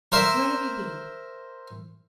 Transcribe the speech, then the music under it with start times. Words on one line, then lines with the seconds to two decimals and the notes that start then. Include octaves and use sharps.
Where have you been?'
0.12 A#4 C5 E5